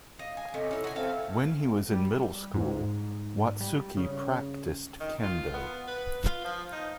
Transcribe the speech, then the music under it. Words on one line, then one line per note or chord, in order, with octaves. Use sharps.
When he was in middle school, Watsuki practiced kendo.
D#5 F5
G#5
A2 C3 C#4 D#5
C#4 D#4 E4
F#4 G#5
C4 A4 E5 F5
G3
G#2
G3
C#3
D#3
F4
B3
B4
F4
F3
D#4